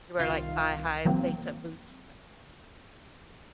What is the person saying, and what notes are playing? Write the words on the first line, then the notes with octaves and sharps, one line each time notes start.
Did you wear, like, thigh high lace up boots?
C2 D#3 F4 F5
E3 F#3 A#3 C4